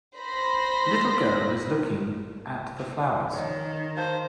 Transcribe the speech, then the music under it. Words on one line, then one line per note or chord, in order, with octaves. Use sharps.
Little girl is looking at the flowers.
C5 B5 A#6
D#3 C#5 D#5
C5 F5 A5 G6